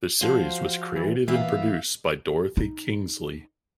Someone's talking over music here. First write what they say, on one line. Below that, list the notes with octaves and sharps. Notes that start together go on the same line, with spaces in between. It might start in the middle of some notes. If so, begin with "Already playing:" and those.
The series was created and produced by Dorothy Kingsley.
F3 F#4 C5 F5
E3
E3 A#3 B3 E5 F5
D#4